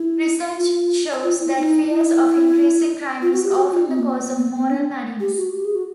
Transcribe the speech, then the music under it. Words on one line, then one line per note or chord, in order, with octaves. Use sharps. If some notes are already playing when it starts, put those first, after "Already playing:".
Research shows that fears of increasing crime is often the cause of moral panics.
Already playing: E4
F4
F4
E4
D#4
E4
F4
F#4
G4
F#4
F4
C4
A#3
B3
B3
A#3
B3
C4
D4
G4
F#4
G4
G#4
F#4